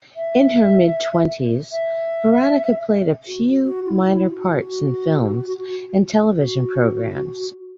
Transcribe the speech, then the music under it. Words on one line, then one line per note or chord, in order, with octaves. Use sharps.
In her mid-twenties, Veronica played a few minor parts in films and television programmes.
E5
E5
F#4
F#4
E4
E4
F#4
F#4
F#4